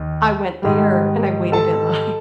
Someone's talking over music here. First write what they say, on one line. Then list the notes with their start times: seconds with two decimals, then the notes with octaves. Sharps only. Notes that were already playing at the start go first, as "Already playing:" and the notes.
I went there and I waited in line.
Already playing: D#2 D#3
0.62 G#2 D#3 G3
1.52 A4 A5